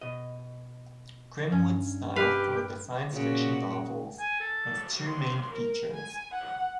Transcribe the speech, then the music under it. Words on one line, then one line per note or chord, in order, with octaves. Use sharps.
Grimwood's style for the Science Fiction novels has two main features.
B2 D#5
G2 C#4
G4 B4 F5
A#2 C#3 F#4
G#5
A4
C6
A#4
G#5
F#5